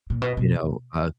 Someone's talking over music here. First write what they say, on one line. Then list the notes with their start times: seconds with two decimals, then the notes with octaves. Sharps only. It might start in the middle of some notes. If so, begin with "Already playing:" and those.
you know, uh
0.10 A#2
0.22 B2
0.37 B2